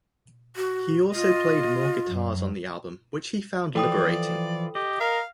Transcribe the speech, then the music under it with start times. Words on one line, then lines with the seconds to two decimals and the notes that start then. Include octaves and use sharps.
He also played more guitars on the album, which he found liberating.
0.56 F#4
1.15 F4 D#5
2.09 F#2
3.75 E3 F3 A4 D5 G5 D#6
4.75 G4 D#5
5.00 A#4 F5